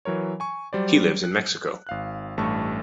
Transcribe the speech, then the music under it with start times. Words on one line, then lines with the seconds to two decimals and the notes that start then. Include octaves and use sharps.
He lives in Mexico.
0.05 E3 F#3 A#4 C#5
0.40 G#5 C#6
0.73 F#3 G3 C5 D5
1.24 F#6
1.87 G#1 F5 F#6
2.38 A1 G2 A3 A4 A5 C#6